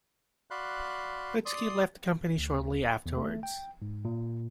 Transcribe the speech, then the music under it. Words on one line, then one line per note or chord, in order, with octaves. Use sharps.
Putski left the company shortly afterwards.
F#4 D5 F5 B5 C6 F#6
D5 C6 D#6
D2
E2
A3
G5
G#2
A#2